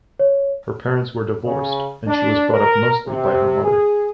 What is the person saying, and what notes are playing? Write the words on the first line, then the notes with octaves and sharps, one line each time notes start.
Her parents were divorced, and she was brought up mostly by her mother.
C#5
C#3
D4
A#4
C3
G#4